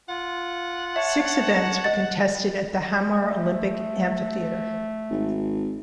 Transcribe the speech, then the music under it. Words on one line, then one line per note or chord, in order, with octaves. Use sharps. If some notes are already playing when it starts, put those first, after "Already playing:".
Six events were contested at the Hamar Olympic Amphitheatre.
F4 F#5
C#5 E5 A5
D#5 A6
A3
G#1